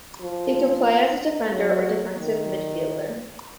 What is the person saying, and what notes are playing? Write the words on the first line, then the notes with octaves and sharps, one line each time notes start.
He could play as a defender or defensive midfielder.
F3
F#3
D#3